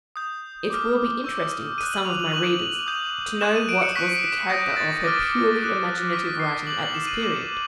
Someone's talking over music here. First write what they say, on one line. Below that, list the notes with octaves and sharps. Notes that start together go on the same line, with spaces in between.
It will be interesting to some of my readers to know what was the character of her purely imaginative writing at this period.
D#6 G6
D6 F6
C#6 E6 G6
D#6 F#6 D#7
F#7
F7
F#7
C#6 F#6 F#7
D#6 G6
C#6 F#6 E7
D#7
D7
C#7
C#6 F#6 B6
D#6 G6 A#6
A6
D6 F6 A#6
D#6 F#6
C#6 F6 B6
C7
D6 G6 F#7
F#7
E7
D#7
D6 G6